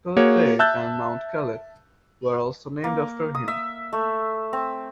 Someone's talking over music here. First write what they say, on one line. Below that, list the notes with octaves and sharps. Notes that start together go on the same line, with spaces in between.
Kellett Bay and Mount Kellett were also named after him.
A#3 F#4 G#4 C#5
E5 A5 E6 F#6 G6 A6
A#3
D#6
E5
A3
C4